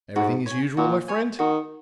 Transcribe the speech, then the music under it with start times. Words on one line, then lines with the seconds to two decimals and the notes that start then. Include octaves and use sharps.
"Everything as usual, my friend?"
0.16 G#2 F#4
0.46 C#5 G#5
0.77 A#2 F#4
1.08 C#5 G#5
1.39 D#3 F#4